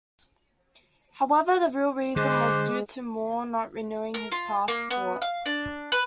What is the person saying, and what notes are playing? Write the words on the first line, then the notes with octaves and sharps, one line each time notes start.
However, the real reason was due to Moore not renewing his passport.
D3 G#3 C5 D6 F#6
A#4
F4
A#3
B3
F5
D4
B4